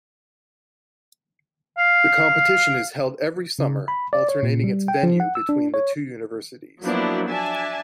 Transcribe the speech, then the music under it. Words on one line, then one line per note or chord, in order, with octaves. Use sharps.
The competition is held every summer, alternating its venue between the two universities.
F5
C#3
B5
D5
C#5
A#2
G3
G5
F3
F#5
E6
D4
C#5
F3 F#3 A#3 B3 D4 E4
D4 E5 G#5 A5